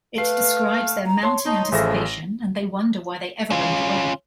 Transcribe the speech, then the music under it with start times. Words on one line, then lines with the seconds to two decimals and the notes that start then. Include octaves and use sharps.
It describes their mounting anticipation and they wonder why they ever roamed away.
0.18 A3 B4 F5 C7
1.06 A#5
1.23 C#5 A5 C6
1.46 D#4 A5
1.72 A1 C#3 F3 A4 E5 A#6
3.50 C#4 F4